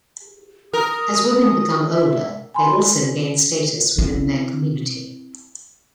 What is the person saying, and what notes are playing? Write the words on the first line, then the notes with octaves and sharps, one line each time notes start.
As women become older they also gain status within their community.
A#4 D#6
E5
G#5 B5 C6
C4 E4